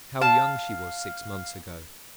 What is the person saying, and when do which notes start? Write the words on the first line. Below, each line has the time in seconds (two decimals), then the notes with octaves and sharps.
How young she was six months ago!
0.21 F5 A5